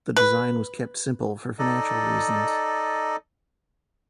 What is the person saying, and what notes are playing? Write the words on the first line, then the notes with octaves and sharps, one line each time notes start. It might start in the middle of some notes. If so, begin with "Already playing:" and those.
The design was kept simple for financial reasons.
B4
D#4 A4 D5 D#5